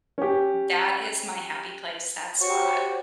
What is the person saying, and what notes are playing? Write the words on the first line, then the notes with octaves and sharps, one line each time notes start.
that is my happy place, that spot.
C#4 G4
F#4 G4 C5 C#5 C#6